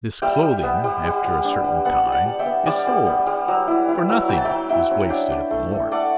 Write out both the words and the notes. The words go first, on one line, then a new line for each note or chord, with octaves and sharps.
This clothing, after a certain time, is sold--for nothing is wasted at the Morgue.
G3 E5 G5
G3
B3
G3
G3
G3
D4
G3
B3 F#5 A5
G3
F#5 A5
G3
E5 G5
B3
G3 D5 F#5
G3
B3
G3
F#3
E4
E4
F#3
F#3 G5
A5
F#3 E5 G5
E4 E5 G5
C#4
D4 E5 G5
D4
A3
A3
A3 D5 F#5